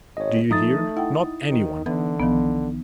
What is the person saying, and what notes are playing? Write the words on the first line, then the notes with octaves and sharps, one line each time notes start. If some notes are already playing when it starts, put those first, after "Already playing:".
Do you hear, not any one!
G#1 C#5 D#5
F3 A3 D#4 D#6 A6
E4 F#5 G5
D#3
D3 E3 B3
B1 D#3 F3 B3